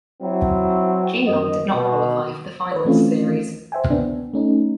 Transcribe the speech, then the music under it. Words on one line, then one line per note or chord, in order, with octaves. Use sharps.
Geelong did not qualify for the finals series.
F#3 C4 E4
F#2 D#5
B2
B4 C#5
E3 A3 C4 C#4 F4
C5 E5 G5 G#5
B3 D4
A3 C#4 D#4